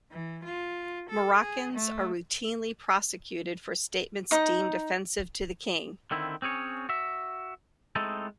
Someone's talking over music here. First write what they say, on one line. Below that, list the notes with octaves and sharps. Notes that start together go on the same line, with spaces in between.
Moroccans are routinely prosecuted for statements deemed offensive to the King.
E3
F4
A4
G#4
A3
D#4 D#6
D3 D#3 C4 E4
C4 C#4 G#4 C#5
F#4 E5
G#3 A3 C4 D#4 E4 A4